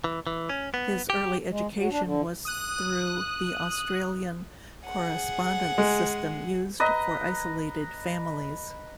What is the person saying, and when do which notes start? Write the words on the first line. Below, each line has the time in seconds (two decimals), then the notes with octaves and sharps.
His early education was through the Australian correspondence system used for isolated families.
0.04 E3
0.27 E3
0.49 C#4
0.74 B3
1.10 G4
1.50 G#3
1.75 F#3
1.91 D4
2.03 D3
2.45 D#6 F#6
4.86 G#4 F#5
5.78 G#3
6.80 B4 D#5 A#5